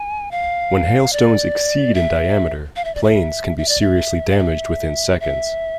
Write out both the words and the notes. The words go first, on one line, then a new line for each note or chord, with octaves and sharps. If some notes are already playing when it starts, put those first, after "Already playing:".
When hailstones exceed in diameter, planes can be seriously damaged within seconds.
Already playing: G#5
F5
D5
E5
F5
E5
D5
E5
E5
D5
E5
F5
E5
E5